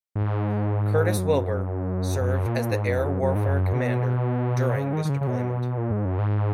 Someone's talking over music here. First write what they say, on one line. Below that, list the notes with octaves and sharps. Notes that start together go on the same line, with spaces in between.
"Curtis Wilbur" served as the Air Warfare Commander during this deployment.
G#2
F#2
F#2
A#2
G#2
F#2
E2
F#2
F#2
G#2
F#2
B2
C#3
D#3
D#3
C#3
C#3
B2
A#2
G#2
F#2
G#2